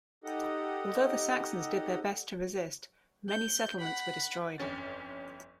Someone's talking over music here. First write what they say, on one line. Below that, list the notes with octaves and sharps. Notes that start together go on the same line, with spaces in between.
Although the Saxons did their best to resist, many settlements were destroyed.
D#4 G4 A4 D#5 F#5
G6
F#5 B5
G1 F2 C#4 A6